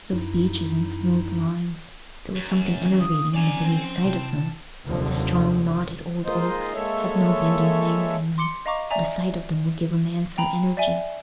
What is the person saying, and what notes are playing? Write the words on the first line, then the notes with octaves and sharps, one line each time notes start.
Those beeches and smooth limes--there was something enervating in the very sight of them; but the strong knotted old oaks had no bending languor in them--the sight of them would give a man some energy.
F#2 D#4 E4
F#2
E3 F#3 G#5
D#3 E3 F5 D#6
F3 C#4 D5 G#5 A#5
C4
C3 E4 G5 A5
F1 D#2 D3 F3 F#3
G#3 A#3 D#4 F4 C5 D#5
G#3 A#3 A4 C#5 E5
C6 D6 C#7 G7
D#5 F5 A#5 C#6 D6
D5 E5 G#5 A#5
G5 A#5 B5
D5 E5 G#5